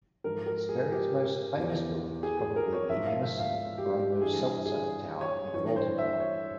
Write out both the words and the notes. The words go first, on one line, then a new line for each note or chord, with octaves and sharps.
Sperry's most famous building is probably the Emerson "Bromo-Seltzer" Tower in Baltimore.
G#2 F3 A#4
A#4
G#4
G4
E2 E3
G#4
G#4
A#4
C#5
G#2 F3 E5
F5
E5
F5
G4
G4
G2 E3 G#4
G#4
C#5
G2 E3 C#5
C5
E5
C#5